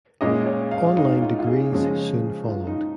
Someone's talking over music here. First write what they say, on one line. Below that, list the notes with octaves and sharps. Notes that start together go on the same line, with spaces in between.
On-line degrees soon followed.
A#2 G#3 C#4 D#5
C#5
F5
D#4
F4
F4
G#4
C#3 F3 G#3 C#4
F4
D#4